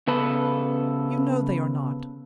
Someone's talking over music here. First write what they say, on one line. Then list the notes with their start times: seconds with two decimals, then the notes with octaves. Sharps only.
You know they are not.
0.07 C#3 B3 A4 B4